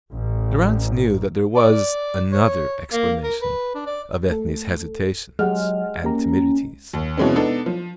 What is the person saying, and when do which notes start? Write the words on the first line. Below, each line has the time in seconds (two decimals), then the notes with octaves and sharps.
Durrance knew that there was another explanation of Ethne's hesitations and timidities.
0.11 A1
1.56 D5
1.71 D5
2.32 C#5
2.92 A#3
3.23 A#4
3.42 B4
3.75 D4
3.87 D5
4.30 A3 A4
5.39 F#3 G#3 G4 F#5 F6
6.04 A#3 C#4 G4 A#5
6.93 D#2
7.17 B2 E3 G#3 C4 C#4
7.36 B3 D4 D#4 A4
7.66 F3